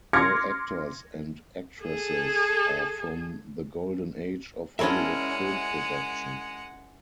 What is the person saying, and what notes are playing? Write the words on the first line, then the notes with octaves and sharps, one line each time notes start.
All actors and actresses are from the "Golden age" of Hollywood film production.
C6 D6 F6 G#6 A#6 C#7
G#4 A4
G#3 C#4 D4 E4 G#4 A#4 E5 F#5